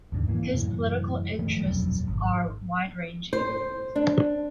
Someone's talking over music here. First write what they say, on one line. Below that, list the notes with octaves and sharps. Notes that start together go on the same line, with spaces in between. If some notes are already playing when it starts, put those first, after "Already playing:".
His political interests are wide-ranging.
D#2 G#2 D3
E3 A#3
F#2 A2 C3 E3
D#3 F3 A3 C4
E1 A#1 F#2
G#1
C5
D4